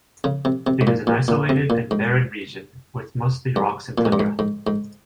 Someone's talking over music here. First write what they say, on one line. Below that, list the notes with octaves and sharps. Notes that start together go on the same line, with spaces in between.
It is an isolated and barren region with mostly rocks and tundra.
C#3
C3
C3
G#2
A#2
A#2
A#2
C3
A#2
G#2
G2
A#2
G#2
G2
G#2
G#2
G#2